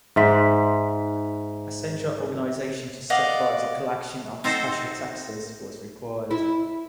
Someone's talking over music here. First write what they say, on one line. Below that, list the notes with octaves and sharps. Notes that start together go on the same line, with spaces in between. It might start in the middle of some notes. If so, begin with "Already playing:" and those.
A central organisation to supervise the collection of the special taxes was required.
G#2 E5 C6 B6
D5 D#5 F5 F#5
C4 D#4 F#4 A4 C5
E4